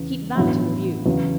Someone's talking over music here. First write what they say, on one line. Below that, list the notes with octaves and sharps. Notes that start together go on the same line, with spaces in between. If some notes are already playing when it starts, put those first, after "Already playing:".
Keep that in view.
Already playing: E2 C#3
A1 G2 F#3 B3 E4
E2 C#3 F#3